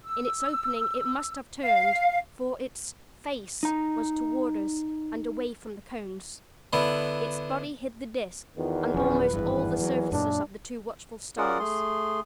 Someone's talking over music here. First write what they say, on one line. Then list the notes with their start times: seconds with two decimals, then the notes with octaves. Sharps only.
In its opening it must have turned, for its--FACE--was toward us and away from the Cones, its body hid the Disk, and almost all the surfaces of the two watchful Stars.
0.04 E6
1.62 F5
3.63 D#4 A#5
6.73 D3 B3 E4
8.57 E2 D#3 B3 F4
8.94 D1 G1 F3 C#4 B4
9.33 G#1 E2 G2 E3
9.81 D#2 F#3
10.12 F#2 A#2 D4
11.38 C#4 F4 G#4 A#4 D5 F#5
11.59 A3 G#4 C6